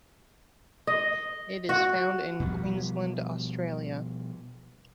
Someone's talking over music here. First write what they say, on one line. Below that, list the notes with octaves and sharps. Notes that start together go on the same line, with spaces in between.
It is found in Queensland, Australia.
D#5
F#4
B2 F3 G3